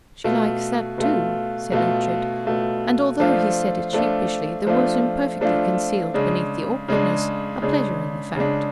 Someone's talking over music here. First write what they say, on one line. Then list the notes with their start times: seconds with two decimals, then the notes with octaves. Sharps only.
"She likes that, too," said Ughtred, and, although he said it sheepishly, there was imperfectly concealed beneath the awkwardness a pleasure in the fact.
0.24 B2 A3 F4
0.98 B2 A3 F4
1.72 B2 A3 F4
2.45 B2 A3 F4
3.20 F3 A3 D4 F4
3.93 F3 A3 D4 F4
4.67 F3 A3 D4 F4
5.41 F3 A3 D4 F4
6.14 C#3 G#3 D4
6.88 C#3 G#3 D4
7.62 C#3 G#3 D4
8.36 C#3 G#3 D4